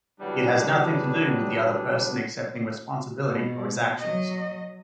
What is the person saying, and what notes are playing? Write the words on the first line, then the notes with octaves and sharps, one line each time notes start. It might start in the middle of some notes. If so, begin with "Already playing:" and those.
It has nothing to do with the other person accepting responsibility for his actions.
C#3 E3 F#3 G3 B3 D4
B2
F#3 D#5